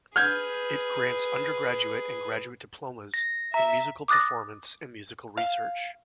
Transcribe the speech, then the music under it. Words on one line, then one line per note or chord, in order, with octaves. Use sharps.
It grants undergraduate and graduate diplomas in musical performance and musical research.
G#4 B4 F6 G6 G#6
A#6
E5 A#5
D6 D#6 F#6 A6 A#6
F5